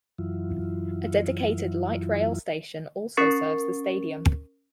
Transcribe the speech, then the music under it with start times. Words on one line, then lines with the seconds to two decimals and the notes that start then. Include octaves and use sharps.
A dedicated light rail station also serves the stadium.
0.18 F#2 E3 F#3 E4 F4
3.17 C#4 A#4 C#6 A6 C7 C#7